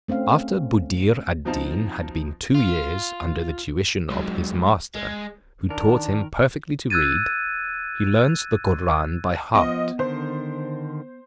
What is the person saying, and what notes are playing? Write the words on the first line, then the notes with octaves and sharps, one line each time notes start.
After Buddir ad Deen had been two years under the tuition of his master, who taught him perfectly to read, he learnt the Koran by heart.
A3 C4 C#4 F5
B2 F3 C4 D#4 F4 A5
F4
G#2 F#3
G#3
D#3 D4 A#4
E6 F#6 G#6 A6 D#7
F3 B3 D#5
D3 D#3 C5